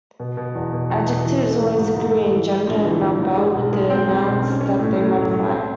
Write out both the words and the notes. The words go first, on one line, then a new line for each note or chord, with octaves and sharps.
Adjectives always agree in gender and number with the nouns that they modify.
B2
B2
E2
B2
E2
B2
E3
A3
G#2
G#2
G#2
A3
E3
G3
A#1
E3
E3
G#2
G#3
B1
G#3
C4
C4
B1
C#4
C#4
A2
A2
F#3
F#3
C4